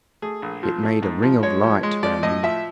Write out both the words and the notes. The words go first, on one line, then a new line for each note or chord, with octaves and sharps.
It made a ring of light round them.
A3 G#4
A#1
F3
A3
G#2
F3
G#3 C#5
F3
G#3
F3 D5
A2 D#5
F3 E5